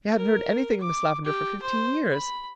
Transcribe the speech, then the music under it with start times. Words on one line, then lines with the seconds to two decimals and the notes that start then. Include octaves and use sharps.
He hadn't heard anything of Miss Lavendar for fifteen years.
0.17 A#4
0.80 D6
1.25 G4
1.62 C5
2.11 B5